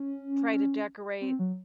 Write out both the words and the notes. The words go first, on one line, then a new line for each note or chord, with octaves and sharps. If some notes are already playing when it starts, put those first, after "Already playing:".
try to decorate
Already playing: C#4
C4
F#3